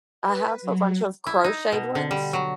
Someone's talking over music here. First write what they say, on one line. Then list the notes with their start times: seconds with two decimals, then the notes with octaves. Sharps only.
I have a bunch of crocheted ones,
0.24 B4
0.62 F#3
1.26 E4
1.44 D#4
1.72 B2
1.95 D3
2.11 G3
2.33 F#3